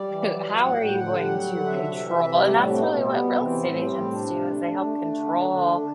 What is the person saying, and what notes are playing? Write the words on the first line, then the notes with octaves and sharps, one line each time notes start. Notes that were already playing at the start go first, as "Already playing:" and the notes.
"Who how are you going to control" and that's really what real estate agents do is they help control
Already playing: G3 D5
E3
F#3
F#3
A2 F#5
A2 G5
D3 F#5
G3
F#3
D3
C3 E5
C3
E3
C3
G3 D5
G4
A2 F#4
D4
A3 C4
B3
B2 A3
B3
G3
C3
E3 C4
A2
G3
A2
C3 D4
C3
A3
A3
A3
A3
D3
D3
D3 D4
A3